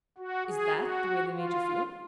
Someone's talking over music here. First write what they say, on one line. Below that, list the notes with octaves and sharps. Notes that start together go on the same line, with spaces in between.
"Is THAT the way they made you feel?"
F#4
G#4
F#4
F4